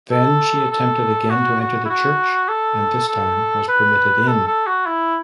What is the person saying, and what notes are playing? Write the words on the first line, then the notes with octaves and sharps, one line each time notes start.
Then she attempted again to enter the church, and this time was permitted in.
A4
A4
F#4
F#4
E4
F#4
A4
A4
B4
A4
A4
F#4
E4